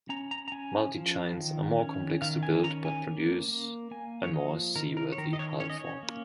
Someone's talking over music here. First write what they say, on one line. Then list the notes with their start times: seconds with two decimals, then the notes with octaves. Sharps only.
Multi chines are more complex to build but produce a more seaworthy hull form.
0.09 C#4 A#5
0.31 A#5
0.48 A#5
0.52 C#4 G#5
0.95 F3
1.37 D#3
1.79 C#4
2.22 D#3 F5
2.43 G#5
2.55 G#5
2.64 C#4 A#5
2.85 G#5
3.07 A#3
3.48 A#3
3.91 A#3 G#5
4.24 C#5
4.33 F3 D#5
4.76 D#3 A#4
4.97 A#4
5.12 C#5
5.18 D#3 A#4
5.33 D#5
5.39 C#5
5.60 C#4 C#5
5.70 D#5
5.79 C#5
6.03 A#3